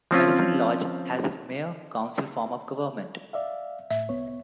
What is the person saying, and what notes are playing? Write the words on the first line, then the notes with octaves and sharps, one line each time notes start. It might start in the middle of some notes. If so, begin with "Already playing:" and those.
Medicine Lodge has a mayor-council form of government.
F3 C4 C#4 F4
D5 E5 F5
A2 E5
C2 B3 C#5